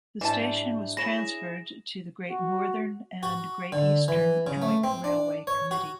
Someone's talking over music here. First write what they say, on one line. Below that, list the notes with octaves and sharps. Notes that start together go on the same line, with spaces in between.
The station was transferred to the Great Northern and Great Eastern Joint Railway committee.
G#2 E3 G3 D4 A5
E4 G#4 C#5 B5 A#6 E7
F#4
F#4
D3
E3
C#3
A3
C4
D4
C#5
F#4